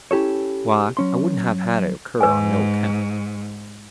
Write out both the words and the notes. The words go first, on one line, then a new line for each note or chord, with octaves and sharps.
Why, I wouldn't have had it occur on no account.'
C#4 E4 G4 A4 C#5
F#3 C#4 C6
G#2 B4 G#5